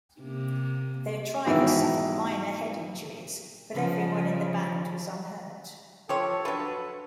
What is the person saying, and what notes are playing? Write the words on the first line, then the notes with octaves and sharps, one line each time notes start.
Their driver suffered minor head injuries, but everyone in the band was unhurt.
C3 A#3
G#2 B2 D#3 E3 E4
C#3 F3
F3 G4 A4 C#5
F#3 D4 B4